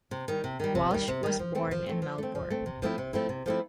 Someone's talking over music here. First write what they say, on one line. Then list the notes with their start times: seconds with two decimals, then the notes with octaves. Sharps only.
Walsh was born in Melbourne.
0.11 C3
0.28 D#3 G3
0.44 C3
0.60 D#3 G3
0.75 C3
0.91 D#3 G3
1.08 C3
1.23 D#3 G3
1.39 F3
1.55 A3 C4
1.71 F3
1.86 A3 C4
2.02 F3
2.18 A3 C4
2.35 F3
2.50 A3 C4
2.66 C3
2.82 F3 A3 C4 E4
2.98 C3
3.13 F3 A3 C4 E4
3.29 C3
3.46 F3 A3 C4 E4